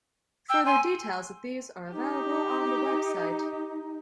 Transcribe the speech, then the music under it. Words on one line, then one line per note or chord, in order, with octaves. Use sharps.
Further details of these are available on the website.
G5 E6
G#5 C6
D#4 G4